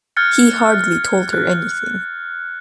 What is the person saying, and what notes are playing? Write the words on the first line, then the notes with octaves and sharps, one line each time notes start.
He hardly told her anything.
F6 F#6 G#6 A6 C#7
F#6